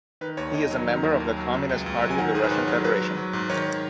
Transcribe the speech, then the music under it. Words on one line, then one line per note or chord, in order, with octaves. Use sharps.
He is a member of the Communist Party of the Russian Federation.
D#3 B4
D#2 C#5
D#2 D#5
F#3
D#3
D#2
D#2
F#3
C#3
C#2
C#2
F#3
G#5
D#3 F#5
G#2 G#4
B4
G#2 C#5
F#3
F#3 B4
G#2
F#3
G#2
D#3 C#5